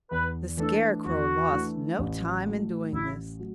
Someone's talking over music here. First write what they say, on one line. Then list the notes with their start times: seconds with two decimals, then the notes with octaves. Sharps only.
The Scarecrow lost no time in doing this.
0.10 E2 B4
0.57 E3 A3 D4 A4
1.04 E2 F#4
1.52 E3 A3 D4
1.99 A1
2.45 A2 F#3 A3 F#4
2.92 A1 E4
3.40 F#3 A3